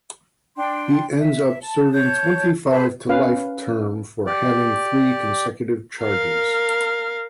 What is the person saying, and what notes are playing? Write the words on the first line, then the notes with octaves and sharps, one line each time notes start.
He ends up serving twenty-five to life term for having three consecutive charges.
D4 G5 C6
E5
A5
C#5 A5 G6
G#4 B4 C5 A5
C#4 B4 F5
G4 D5
A#4 F5